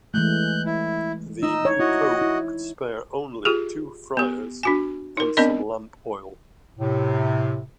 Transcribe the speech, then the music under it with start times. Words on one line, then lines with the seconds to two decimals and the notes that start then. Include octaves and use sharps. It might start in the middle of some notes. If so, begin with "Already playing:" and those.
The new Pope could spare only two friars and some lamp oil.
0.14 E3 G#3 A3 F#6 G6
0.66 E4
1.43 D#4 D#5 E6
1.65 C#5
1.79 E4 F#4 D#5
2.21 E4
3.45 F4 G4 G#4
4.17 B3 G4
4.63 D4 F#4 G#5
5.17 D#4 A#4
5.37 B3 C4 D4 A#4 D5 D#5
6.79 A2 C3